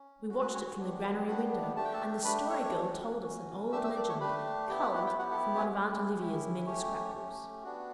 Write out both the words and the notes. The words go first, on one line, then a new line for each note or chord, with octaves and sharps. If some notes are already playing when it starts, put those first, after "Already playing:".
We watched it from the granary window, and the Story Girl told us an old legend, culled from one of Aunt Olivia's many scrapbooks.
Already playing: C#4
C#4 F#4
B4
C#4 C#5
C#4 C#5
B3 D4 G4
B3 D4 F#4 G4 F#5
A3 D4 G4 A5
G5
A4 A5
A3 D4 G4 B4 B5
C#5 C#6
C#4 F#4
C#4 F#4
A3 D4 G4 E5 E6
E5 E6
D5 D6
C#5 C#6
A3 D4 G4 B4 B5
B3 E4 G4 G5
F#4 F#5
F#4 F#5
G4 G5
B3 E4 F#4 G4 F#5
A4
C#4 C#5
C#4 E4 G4
C#4 E4 G4
A3 C#4 G4 C#5
A3 C#4 G4
B3 D4 F#4